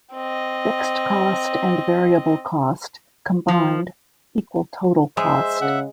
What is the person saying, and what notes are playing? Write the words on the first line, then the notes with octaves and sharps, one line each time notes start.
Fixed cost and variable cost, combined, equal total cost.
C4 D#5
F3
G#3 C5 E5
C#3 F#5